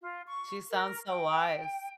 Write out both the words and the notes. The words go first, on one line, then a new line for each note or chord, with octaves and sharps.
She sounds so wise.
F4
C#6
A#4
G5